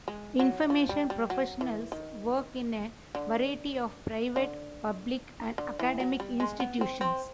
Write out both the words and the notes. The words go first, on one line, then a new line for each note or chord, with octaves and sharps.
Information professionals work in a variety of private, public, and academic institutions.
G#3
F#3
F3
G3
G3
F#3
E3
D#3
D3
D3
D3
E3
F#3
G3
G#3
B3
C4
C4